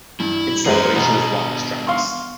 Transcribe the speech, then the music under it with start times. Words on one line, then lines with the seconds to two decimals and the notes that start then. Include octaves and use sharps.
In celebration of Wax Trax!
0.20 G2 E4
0.66 F#2 G#3 G#4 B4 C5
0.94 B2 B3 D4 A#5
1.87 F5 C6 C#6